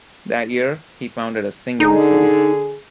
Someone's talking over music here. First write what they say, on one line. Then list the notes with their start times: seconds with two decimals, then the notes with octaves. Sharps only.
That year he founded a singing school.
1.80 D3 D#4 G#4